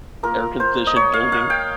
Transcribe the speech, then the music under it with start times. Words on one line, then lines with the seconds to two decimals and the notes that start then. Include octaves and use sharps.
air conditioned building.
0.23 A#3 F4 A#4
0.60 C5
0.87 D#5
0.96 C#5
1.13 F5
1.32 F5
1.50 G5